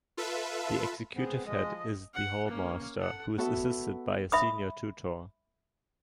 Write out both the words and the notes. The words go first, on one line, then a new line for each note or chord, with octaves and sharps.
The executive head is the hall master, who is assisted by a senior tutor.
F4 A4 B4 E5
G#3 B3 C4
F3 G#3 D#5
F#5
A#3 C#4
A4 F#5
B3 F#4 A4 E5
E5 B5 D#6